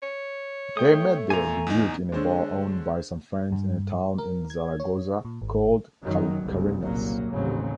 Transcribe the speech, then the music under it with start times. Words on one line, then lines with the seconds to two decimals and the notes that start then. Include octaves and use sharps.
They made their debut in a bar owned by some friends in a town in Zaragoza called Carenas.
0.03 C#5
0.77 A3 G5 D#6
1.30 A#2 G#5 A#5
1.67 E2 D#4
2.12 D3 G#3 D4 C5 C#5
3.52 G2
4.18 A#4
4.50 G#6
4.80 C#5
5.25 A#2
5.42 G#1
6.03 F#1 F#2 D#3 F#3
6.41 F#1 C2 G2
6.81 F#1 C2 A#2 F#3 A#3
7.29 A1 D#2 C#3 F#3 C4